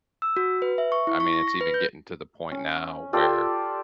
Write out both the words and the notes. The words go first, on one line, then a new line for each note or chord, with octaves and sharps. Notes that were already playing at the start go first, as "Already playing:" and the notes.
I mean, it's even getting to the point now where,
E6
F#4
B4
E5
C#6
E4
C#6
A#6
A#6
B4
G6
C#4
F4 G4 A4 D5